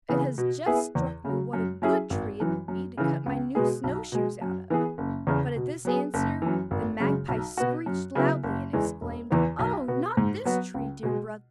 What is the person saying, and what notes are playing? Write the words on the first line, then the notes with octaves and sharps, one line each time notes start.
It has just struck me what a good tree it would be to cut my new snow-shoes out of.' But at this answer the magpie screeched loudly, and exclaimed: 'Oh, not this tree, dear brother, I implore you!
C#3 E3 B3 G#4
B2
B3 E4 G#4
E2
C#3 F#3
F#2
F#3 C#4 E4 G#4
G#1
F#2 E3
F#2
C#3 E3
C#2
B2 G#3 B3 G#4
B1
B2 G#3
F#2
E3 B3 G#4
F#1
E2 C#3
B2
F#3 B3 G#4
F#1
F#2 E3
G#1
F#2 C#3 G#3
B1
B2 B3 F#4
F#2
C#3 F#3 B3 E4
F#1
E2 E3 G#3
E1
E2 E3 B3
B1
B2 B3 F#4
G#2
F#3 B3 F#4
C#2
B2 G#3